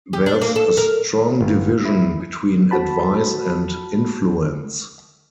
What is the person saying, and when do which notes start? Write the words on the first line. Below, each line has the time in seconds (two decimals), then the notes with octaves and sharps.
There's a strong division between advice and influence.
0.13 G4
0.26 D4
0.41 A#3
0.56 A4
0.77 A#4
1.41 G1
1.85 E4
2.71 F#4 A5 B5